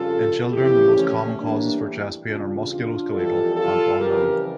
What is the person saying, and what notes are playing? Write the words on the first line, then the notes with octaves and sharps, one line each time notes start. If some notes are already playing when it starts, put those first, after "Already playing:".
In children the most common causes for chest pain are musculoskeletal and unknown.
Already playing: F2 C#3 G3 F4 A4
F2 C#3 E3 G3 E4 G4
A3 C#4
A2 E3 G3 A#3 D4
E2 C#3 G3 D4 F4
D4 F4
F2 E3 G3 F4 A4
F4 A4
F2 C#3 E3 G3 G4 A#4